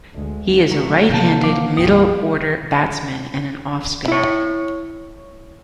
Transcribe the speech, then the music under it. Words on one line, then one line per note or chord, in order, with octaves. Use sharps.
He is a right-handed middle order batsman and an off-spinner.
D2 G#3
F1 F#3 A3
C3 D#3 F3 A#3 B3 A5 G6
F5 D6
B1 F#2 G5 D#6
E4 C#5